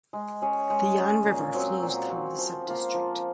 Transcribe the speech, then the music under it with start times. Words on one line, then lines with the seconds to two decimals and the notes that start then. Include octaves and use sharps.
The Yan River flows through the subdistrict.
0.13 G#3
0.42 C#4 G#4 C#5
0.70 G#3
0.97 C#4 G#4 C#5
1.26 A#2
1.54 F#3 C4 F#4
1.82 A#2
2.10 F#3 C4 F#4
2.38 F3
2.67 A#3 F4 C5
2.94 F3